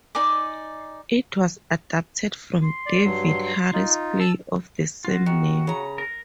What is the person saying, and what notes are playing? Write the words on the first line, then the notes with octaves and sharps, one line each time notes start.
It was adapted from David Hare's play of the same name.
D#4 D5 G#5 D6
C6
D5
G2 F#3
D#4 F4
A5 E6
F4 F#4
D#3 F#4
C#3 A#5
A#4